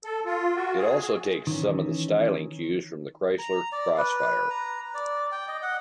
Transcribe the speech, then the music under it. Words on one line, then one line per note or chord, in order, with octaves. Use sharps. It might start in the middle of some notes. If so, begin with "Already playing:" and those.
It also takes some of the styling cues from the Chrysler Crossfire.
A4
F4
F#4
G#4
D#3 E3 C#4
A#5
D5
B4
A#5
D5
G5
D#5
F#5